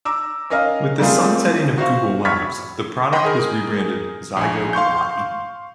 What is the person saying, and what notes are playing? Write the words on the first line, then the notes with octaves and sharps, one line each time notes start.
With the sun-setting of Google Labs, the product was re-branded Zygote Body.
A#5 D6 E6
C#4 A#4 D#5 F5 F6
G3 A3 A#3 C4 F4 G#4
F#4 C5 F5 C#6
B5 C#6 F6 G#6 A6 B6
D#5 F#5 G5 B5 C6
G#4 A#4
A#1 G#5
F5 C6 C#6 G6